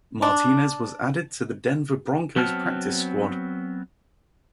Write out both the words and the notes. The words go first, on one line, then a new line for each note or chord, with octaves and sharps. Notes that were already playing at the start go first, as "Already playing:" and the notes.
Martinez was added to the Denver Broncos Practice Squad.
D4
F#3 B3 C4 A5 F6